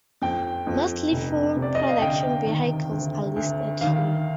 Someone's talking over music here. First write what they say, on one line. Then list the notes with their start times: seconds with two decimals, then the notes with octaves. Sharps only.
Mostly full-production vehicles are listed here.
0.22 F2 G5
0.67 F2
1.12 F1
1.56 C3
1.62 D5
1.75 D#5
1.89 F5
2.01 D2 G5
2.47 D#3
2.91 D2
3.36 D2
3.81 D#3 F5